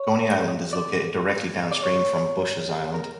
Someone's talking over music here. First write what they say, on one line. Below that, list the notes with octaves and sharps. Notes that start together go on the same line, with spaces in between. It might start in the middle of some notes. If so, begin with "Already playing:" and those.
Coney Island is located directly downstream from Bushes Island.
Already playing: C#5
D5
D5
C#5
A#4